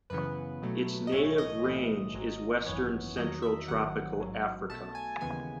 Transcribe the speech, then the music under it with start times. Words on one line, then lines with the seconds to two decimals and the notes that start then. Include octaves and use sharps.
Its native range is western central tropical Africa.
0.10 F#2 C#3 E3 B3 B4
0.62 B1 B2 F#3 A3
1.07 D#5
1.12 B1 A2 E3 A3 C#5
1.38 D#5
1.64 B1 A2 E3 A3
2.14 G#1 G#2 F#3
2.66 G#1 F#2 E3 B3 C#5
3.16 E2 D#3 F#3 D#5
3.42 E5
3.68 A1 G#2 D#3 F#3 F#5
4.19 A1 G#2 F#3
4.70 B1 B2 A3 A5
4.95 G#5
5.21 D#2 C#3 E3 G#3 B3 G#5